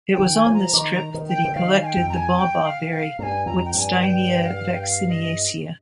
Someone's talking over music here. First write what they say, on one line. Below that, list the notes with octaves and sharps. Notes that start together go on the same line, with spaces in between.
It was on this trip that he collected the Baw Baw Berry, "Wittsteinia vacciniacea".
G5
D#3
G#5
F3
A#5
D#3 A#5 D6
D#3
G5
D3
D#3 F5
G#5
G5
F2
A#5
G#5
G5
F5
G5
F5
G2 G#5 A#5
F2 A#5
G5
G2 G#5 A#5
G5
G5
F5
G5
F5
D#5